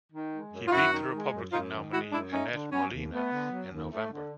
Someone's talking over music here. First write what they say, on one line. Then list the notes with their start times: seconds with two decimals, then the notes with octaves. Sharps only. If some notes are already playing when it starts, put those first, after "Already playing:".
He beat the Republican nominee Annette Molina in November.
0.12 D#3
0.32 G#3
0.53 F#2
0.67 F4
0.72 F#2 E4 F#4
0.92 D#3
1.12 G#3
1.33 F#2
1.52 F#2 D#4 F4
1.73 D#3
1.92 G#3 E4 F#4
2.12 F#2 D4 E4
2.32 A3 C#4 D#4
2.52 D3
2.71 F#3 B3 C#4
2.92 D#2
3.12 A3 B3
3.32 D3
3.51 F#3
3.71 D#2
3.92 A3
4.11 D3